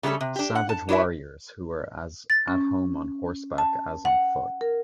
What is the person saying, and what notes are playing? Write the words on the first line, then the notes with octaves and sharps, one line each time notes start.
Savage warriors who were as at home on horseback as on foot.
C#3 G3 A3 B3 C#4 A4
C3
D4 G4
F#5
A5
D4 E4 F#4 B4 E5
A6
C#4
A5
F#5
A#4